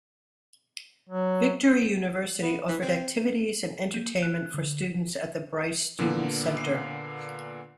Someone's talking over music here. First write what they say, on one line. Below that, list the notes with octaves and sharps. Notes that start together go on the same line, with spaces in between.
Victory University offered activities and entertainment for students at the Bryce Student Center.
F#3
B3
E3
C4
A#3
F#6
D3
A#2 D3 A#3 B3